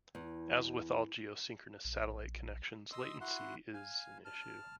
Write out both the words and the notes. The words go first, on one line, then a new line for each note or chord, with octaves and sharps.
As with all geosynchronous satellite connections, latency is an issue.
E2
A#1
D#5 C6 D#6 E6
E4 F#4 F#5 C6
F5 G#5
A5 F6